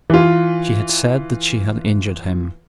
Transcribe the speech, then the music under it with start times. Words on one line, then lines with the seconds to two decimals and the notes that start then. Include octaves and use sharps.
She had said that she had injured him.
0.10 E3 F4